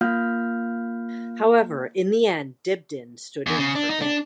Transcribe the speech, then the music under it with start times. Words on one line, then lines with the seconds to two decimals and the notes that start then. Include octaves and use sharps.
However, in the end, Dibdin stood in for him.
0.01 A#3 F4 F5 F6 G6
3.47 E2
3.59 C#3
3.75 D4
3.90 D#4
4.02 D4